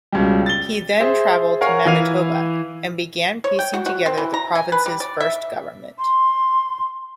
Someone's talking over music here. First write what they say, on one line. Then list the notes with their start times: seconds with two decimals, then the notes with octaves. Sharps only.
He then travelled to Manitoba, and began piecing together the province's first government.
0.12 C#2 B2 G3
0.46 A6 G7
1.00 G#4 C5 E5
1.61 A#4 C#5 F5 F#5 G#5 A#5
1.85 E3 E4 F5 D#7 F7
3.44 C#5
3.59 G5
3.74 F#4
3.86 F#4
4.06 C4
4.18 E3
4.34 A#5
4.55 G#5
4.72 B4
4.86 G3
5.00 D5
5.20 E5
5.99 C6